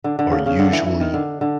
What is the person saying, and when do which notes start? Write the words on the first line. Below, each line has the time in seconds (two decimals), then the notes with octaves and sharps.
or usually
0.04 D3
0.19 D3
0.32 C#3
0.46 C#3
0.59 D3
0.73 E3
0.87 E3
1.01 D#3
1.14 D3
1.41 D3